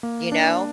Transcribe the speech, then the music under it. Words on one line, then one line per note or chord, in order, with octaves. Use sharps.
you know?
A#3
D4